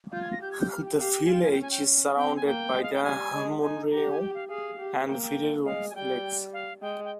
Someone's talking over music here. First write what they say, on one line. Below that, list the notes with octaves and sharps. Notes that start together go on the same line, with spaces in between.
The village is surrounded by the Muneru and Vireru lakes.
F4 G6
G#6
A#6
G4 G6
G#6
G6
F6
G5
G4 F5
G5
G#5
F4 G5
G#5
G5
C#4 G#5
G5
C4 G5
G#5
A#3 G5
G#3
F5
G5
G3 G#5
G#3
D#4 G#5
G4 A#5
G#5
G5
F5
G#4 F5
G4
A#3 G5
G5
G#3 F5
G#5
G3 G5
F5
G#3 G5
G5